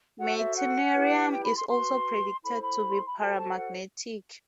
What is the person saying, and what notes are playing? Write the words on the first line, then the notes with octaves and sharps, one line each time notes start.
Meitnerium is also predicted to be paramagnetic.
F#4 A4 C5 F#5
E5
F#5
E4 G4 B4
G5
B5
C6
F#4 B4 C6
E4 A4 C5 B5
B5
C6
B5
F#4 A4 C5 A5
A5
F#5